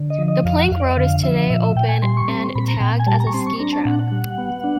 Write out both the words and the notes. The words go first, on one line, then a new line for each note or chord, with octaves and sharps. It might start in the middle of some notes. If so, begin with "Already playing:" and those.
The Plank Road is today open and tagged as a ski track.
Already playing: D3
D#5
F3
D#5
F2 F5
F#5
F2 F5
D5
D#5
D3 F5
F3 E5
A#2 E5
E5
A#2 G5
G#5
G3 C6
C#6
C4 C6
A#2 B5
A#5
A#2 G5
G#5
G3 A5
A#5
C#6
C4 C6
C#6
D4 A#5
A5
A#2 F#5
F#5
G3
B3
D4